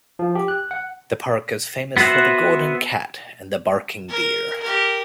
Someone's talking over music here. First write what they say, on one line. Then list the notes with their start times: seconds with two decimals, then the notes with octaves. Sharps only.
The park is famous for the golden cat and the barking deer.
0.19 F3
0.35 G4
0.48 F#6
0.71 F#5
1.97 B3 F#4 C5 E5 F#5
4.09 A#4
4.61 G4 A#4